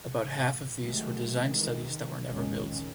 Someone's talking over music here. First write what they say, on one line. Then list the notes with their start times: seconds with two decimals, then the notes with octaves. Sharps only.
About half of these were design studies that were never built.
0.17 A1
0.79 C3 D#3 F#3 G#3 A3
1.43 D#3 E3 G#3
2.27 F1 C#2 A#2 D#3 G#3 C#4